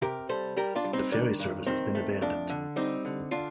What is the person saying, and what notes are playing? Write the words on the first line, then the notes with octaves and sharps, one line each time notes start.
The ferry service has been abandoned.
C3 G4 A#4
G3 A4 C5
G3 G4 A#4
D4 F4
G3
C4 D#4
D#3 D4
G2
D#3 C4
A3
F2 D4
D3
G3 C4 D#4
D3
D3 D4 F4